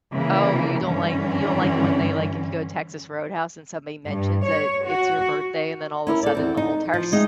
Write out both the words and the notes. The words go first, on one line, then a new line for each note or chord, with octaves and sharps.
Oh, you don't, like you don't, like, it when they, like, if you go to Texas Roadhouse and somebody mentions that it's your birthday and then all of a sudden the whole entire s
C#3 E3 A#3 E4
G2 D3 E3 C#4
G2
C#5
F#4
C#4 E4 A#4
A4 D5
E2 C4
D#4
F3
G#3 D#4 G#4 E5 G5